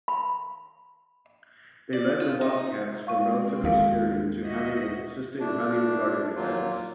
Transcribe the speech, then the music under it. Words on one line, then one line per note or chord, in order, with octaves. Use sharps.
They led the Wildcats from relative obscurity to having a consistent, highly regarded defense.
B5
D5
F4
D#4
G#3 C4 F5 C#6 D#7
D#2 A4 A#4 F5
F#4 D#5 E5
A3 D4
D#2 A#2 F#3 A#3 F4